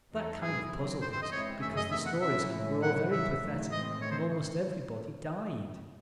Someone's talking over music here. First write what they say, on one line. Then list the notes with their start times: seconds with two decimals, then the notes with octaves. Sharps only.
That kind of puzzled us because the stories were all very pathetic and almost everybody died.
0.12 E2 D#3 G#3 D#4 A4
0.42 G#2 D#3 F#3 C4 E4 G#4
0.71 C3 D#3 F#3 C4
1.02 E2 C3 E3 C4 C5
1.12 C5
1.22 D#5
1.32 E3 G#3 C4 E4 C#5
1.61 F#2 D#3 A3 C#4 G#4 E5
1.77 D#5
1.91 E2 C3 D#3 A3 C4 E5
2.06 F#5
2.21 E2 C3 F#3 C#4 E4 E5
2.52 A2 E3 G#3 C#4
2.81 C#3 F#3 C#4 E4 F#5
3.12 E2 C#3 E3 E5
3.41 F#2 D#3 A3 D#4
3.71 A2 E3 G#3 C4 D#5
4.01 D#3 A3 C4 C#5
4.11 C5